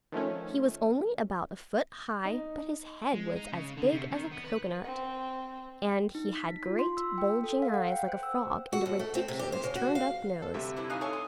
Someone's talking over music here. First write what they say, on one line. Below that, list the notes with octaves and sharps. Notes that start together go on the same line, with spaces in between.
He was only about a foot high, but his head was as big as a cocoanut, and he had great, bulging eyes, like a frog, and a ridiculous turned-up nose.
D#3 F3 A3 C#4
D#4
G#3
D#4
C#3
D3
C3
D#3
B3
B4
C4
D#4
B6
F4
C6
E6
G5
A4
F5
F#5
G5
C5
E6
F#4
D#2
A3
C4
C3
G4
C5
C#3
F#4
F5
A4
D2 G2 C3 E5
D4 E4 B4
D#4 F5 G#5 D#6 F#6
A4 C#5 G#5 A5 C#6
C6